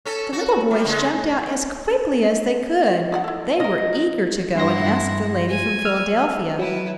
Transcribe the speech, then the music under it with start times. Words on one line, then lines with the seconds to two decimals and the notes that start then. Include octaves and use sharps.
The little boys jumped out as quickly as they could; they were eager to go and ask the lady from Philadelphia.
0.05 C#4 A4
0.33 F#4
0.71 G3
0.85 C#3 G#3
3.12 D#4 D5 F#5
3.24 E4 A4
3.60 D#3 A#4 D#5
4.55 G2 E4 F#5 C6 A#6
5.48 G#5
5.85 E6 F6
6.59 F#3 E4 B4